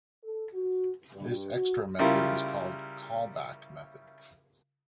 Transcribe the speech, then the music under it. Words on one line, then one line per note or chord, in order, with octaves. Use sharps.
This extra method is called CallBack Method.
A4
F#4
G2
F#4
C#3 G3 E4 F4 A#4